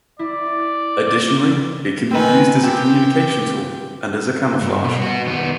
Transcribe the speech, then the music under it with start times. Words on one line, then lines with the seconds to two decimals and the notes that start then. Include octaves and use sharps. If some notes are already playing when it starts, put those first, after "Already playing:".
Additionally, it can be used as a communication tool and as a camouflage.
0.19 E4 D5
2.11 D#3 C4 B4 G#5
2.64 C4 G4
4.61 G2
4.84 B2
5.02 B3 F#4
5.27 D#3 B3